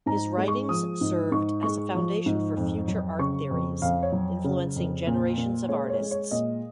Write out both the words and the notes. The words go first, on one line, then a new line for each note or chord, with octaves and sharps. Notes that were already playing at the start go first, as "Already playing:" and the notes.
His writings served as a foundation for future art theories, influencing generations of artists.
G#2 A#5
G#3
C#6
F3 D#6
G#2
G#2 C#6
G#3 C#6
F3
G#2
F2
F#3
C#3 C#6
F2
F2 F5
C#5
F#3
C#3
F2
A#2
A#2
G#3 C#5
C#5
G#3
C#5
A#2 D#5